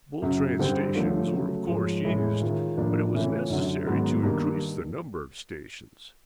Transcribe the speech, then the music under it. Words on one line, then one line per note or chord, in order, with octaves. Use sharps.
The bull-train stations were of course used, but it was necessary to increase the number of stations.
F#2 C#3 F#3
G2 D3 G3 C4
D3 F3 A3 C#4 F4
C#3 F#3 A3
G#2 F3 G#3 C#4
A2 E3 G#3 C#4 E4
D#3 G#3 C#4 F4
A2 F3 A#3 D4
C#3 E3 A3 C#4 F4
F#2 D3 F#3
G#2 D#3 F#3 B3 D#4
G2 D#3 G3 A#3